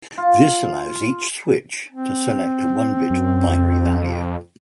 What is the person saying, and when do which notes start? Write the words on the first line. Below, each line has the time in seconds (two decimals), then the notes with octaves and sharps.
This allows each switch to select a one-bit binary value.
0.17 F4
1.92 C4
3.10 F#2
3.48 F2